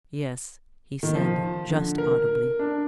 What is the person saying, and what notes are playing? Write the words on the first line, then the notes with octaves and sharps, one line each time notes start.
"Yes," he said, just audibly.
D#3
F3
D3
A#4
D4